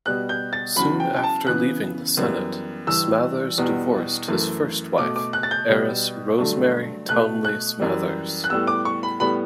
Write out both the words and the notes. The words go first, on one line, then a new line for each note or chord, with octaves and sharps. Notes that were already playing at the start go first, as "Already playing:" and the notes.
Soon after leaving the Senate, Smathers divorced his first wife, heiress Rosemary Townley Smathers.
B2 G3 B3 F#6
G6
A6
E2 C#3 F#3 B5
G5
G5
A5
C#3 E3 B3 F#6
F#2 E3 G3 B3
G2 E3 G3 E6
E2 B2 G3 B3
F#2 E3 A3
B2 A3 D6
D6
F#6
A6
G6
B2 G3 B3
G2 D3 F#3 A3
B2 A3 F#6
F#6
F#2 E3 G3
F#6
A2 G3 B3 E6
D6
C#6
B5
A2 G3 B3 B5